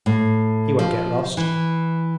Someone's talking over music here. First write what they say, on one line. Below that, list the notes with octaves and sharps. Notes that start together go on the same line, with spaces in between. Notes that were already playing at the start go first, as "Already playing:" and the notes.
'He won't get lost.
A2
F3
E3